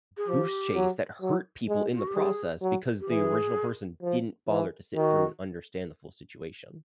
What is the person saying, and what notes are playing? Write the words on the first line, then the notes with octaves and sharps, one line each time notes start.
goose chase that hurt people in the process because the original person didn't bother to sit through and understand the full situation.
G#4
F3 G4
F#3
F#3
G#3
F4
F#4
G4
G3 G#4
F#3
G4
E3 G#4
F3
E3
D#3 F#4